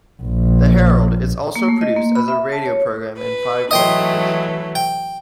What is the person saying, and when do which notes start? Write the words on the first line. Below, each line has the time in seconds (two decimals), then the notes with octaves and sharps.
"The Herald" is also produced as a radio program in five languages.
0.24 A#1
1.56 A#3
1.69 A3
1.81 D#5
1.96 A#3
2.15 B5
2.28 E5
2.52 A5
2.66 C#5
3.18 B4
3.71 E3 F#3 A3 D#5 G5 C6
4.75 G5